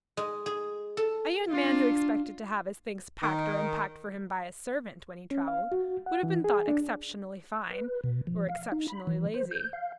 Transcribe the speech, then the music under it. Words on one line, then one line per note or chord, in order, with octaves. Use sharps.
A young man who expected to have his things packed or unpacked for him by a servant, when he travelled, would have been thought exceptionally fine, or exceptionally lazy.
G#3
G#4
A4
D4 F4
D#3
C#4
F5
F#4
F#5
E3
G#4
D4
B4
B2
F3
F5
D#4
B5
E3
C5
G6
F5